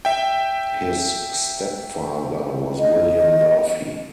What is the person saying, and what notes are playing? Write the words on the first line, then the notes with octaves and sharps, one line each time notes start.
His stepfather was William Murphy.
E5 G5
D#5